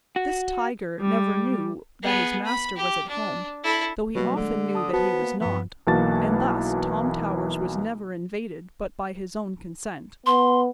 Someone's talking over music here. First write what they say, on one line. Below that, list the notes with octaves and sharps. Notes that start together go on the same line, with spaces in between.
This tiger never knew that his master was at home, though he often knew that he was not, and thus Tom Towers was never invaded but by his own consent.
F#4
G3
B3 G#4
B5
G4
D4
E4 A4
B2 F#3 G3 A#3
D3 G#3 A3
A5 D#6
B3 F#4 C5 A5
A#3
G2 F3 B3
B1 E3 A#3 F#4 A5 A6
B3 C6